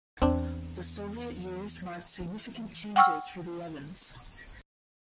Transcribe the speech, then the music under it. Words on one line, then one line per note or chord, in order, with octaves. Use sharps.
The Soviet years marked significant changes for the Evens.
E2 C4 D4
E3
F#5 G5 C#6 E6 F6